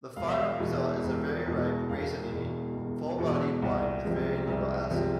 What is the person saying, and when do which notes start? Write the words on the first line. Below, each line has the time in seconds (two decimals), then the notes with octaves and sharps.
The final result is a very ripe, raisiny, full-bodied wine with very little acid.
0.16 E1 F5
0.29 E5
0.40 F5
0.60 E2 B2 G#3
1.03 E1
1.46 E2 B2 G#3
1.89 E1 F5
2.32 E2 B2 G#3
2.76 E1
3.18 E2 B2 G#3
3.62 C2 F#5
4.05 C3 F3 G#3
4.48 C2
4.91 C3 F3 G#3